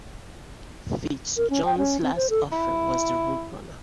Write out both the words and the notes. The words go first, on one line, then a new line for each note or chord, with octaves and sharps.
FitzJohn's last offering was the Roadrunner.
A#4
C#4
G5
C#4
C4
C5
A4
E4